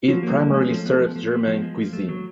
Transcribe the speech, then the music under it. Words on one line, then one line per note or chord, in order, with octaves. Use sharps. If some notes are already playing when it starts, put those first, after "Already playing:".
It primarily serves German cuisine.
F3 F#3
A#3
G3
F3
G#3
C#4
F3 A3
A3 B3
F3
F3
B3
F3
G#3
F3
A3
F#3